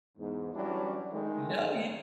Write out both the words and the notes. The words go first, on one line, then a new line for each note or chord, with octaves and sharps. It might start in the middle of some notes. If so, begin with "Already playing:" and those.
No, you
E2 G#2
E3 F#3 G3 C#4 D4 E4
D#3 G#3 A3